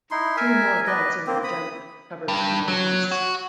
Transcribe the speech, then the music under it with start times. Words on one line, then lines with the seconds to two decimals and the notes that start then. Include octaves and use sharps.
Two more guns in the redoubt covered the north-east.
0.11 D#4 E4 C6
0.37 A#4 E5 G#5
0.87 B4 D5 D#5
1.27 A#3 C4
1.44 B5 D#6
2.28 G2
2.68 F#3
3.12 F#4